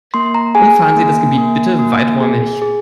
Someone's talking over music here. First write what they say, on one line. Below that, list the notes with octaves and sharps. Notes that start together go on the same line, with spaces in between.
Umfahren Sie das Gebiet bitte weiträumig.
A#3 C6
A#5
G#4 G#5
A#3
A#3
A#3
G#4
G#4